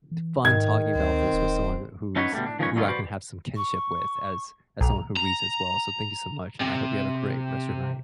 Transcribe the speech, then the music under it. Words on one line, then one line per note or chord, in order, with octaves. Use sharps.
t fun talking about this with someone wh who's who I can have some kinship with as as someone who reads as well. So, thank you so much, and I hope you have a great rest of your night.
E3
G#2 D#3 G#6
D2 C4 C5
D#1
C#4 D#4 E4 F#4 B4 C#5
B2 D3 G3 A3 A#3
D4
D#3 F3 G#3 C#4 B4 C#5
A#2 D3 F#3 C#4 D#4 F4
F#4 B4 C5 D5
C#6
B1 A#5
A#5
C3